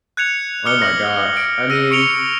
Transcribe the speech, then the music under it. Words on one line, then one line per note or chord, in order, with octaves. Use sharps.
Oh my gosh, I mean,
F#6 G#6 C#7 F7
D6 D#6 F6 C#7 G7
D#6 A#6 F#7
D7
E6 A#6 D7 D#7
C#6 C#7 D7 F7 G7